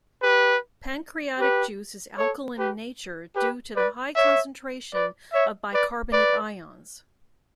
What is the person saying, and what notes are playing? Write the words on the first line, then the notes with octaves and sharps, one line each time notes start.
Pancreatic juice is alkaline in nature due to the high concentration of bicarbonate ions.
G4 B4
G4 B4
A4 C#5
G4 B4
G4 B4
B4 D5
C#5 E5
B4 D5
C#5 E5
B4 D5
B4 D5